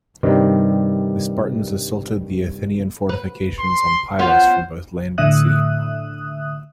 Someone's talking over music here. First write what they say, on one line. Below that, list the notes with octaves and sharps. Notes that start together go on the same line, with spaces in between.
The Spartans assaulted the Athenian fortifications on Pylos from both land and sea.
G2 C3 D#3 G3
B4
C6
B3 C#4 F4 C5
A2 D3 E5 D#6 F#6